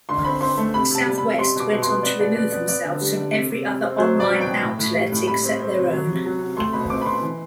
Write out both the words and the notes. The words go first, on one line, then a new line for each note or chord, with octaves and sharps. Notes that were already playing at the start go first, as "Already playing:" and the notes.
Southwest went on to remove themselves from every other online outlet except their own.
D3 C6
C4 B5
C4 C6
A3
C3 B5
C3 A5
G3
B5
C3
G3 C6
B2 D6
B2
C6
B3
B3 D5
B2 D5
B3 D5
B3 D5
B3 D5
D3
G3
D3
C3
C3
C3
C4
F#3 C5
B2
D5
F#3
G5
B2
A2
A2
G3
A2
G3 B5
C4
C4
C3
F#3
C3
F#3
C3
A3 C6
B2 B5
C4 D6
B5
B2 C6
E3